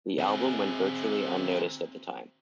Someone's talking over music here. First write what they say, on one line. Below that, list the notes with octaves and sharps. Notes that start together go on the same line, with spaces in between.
The album went virtually unnoticed at the time.
C4 G#4